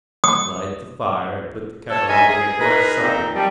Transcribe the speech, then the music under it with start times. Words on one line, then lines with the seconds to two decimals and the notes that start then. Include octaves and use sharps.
Light the fire, and put the kettle on to make my supper.
0.24 D#6
1.90 F3 A4 C#5 A5
2.08 C#4 D#4 A#4 D#5 E5 G#5
2.28 G#4
2.59 D#4 G#4 A#4 B4
3.02 A#2 C4 D#4
3.34 D#3 F3 G3 G4